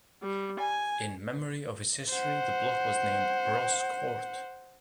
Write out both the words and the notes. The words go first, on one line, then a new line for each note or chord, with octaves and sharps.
In memory of its history the block was named Ross Court.
G3
G#5
C5 F#5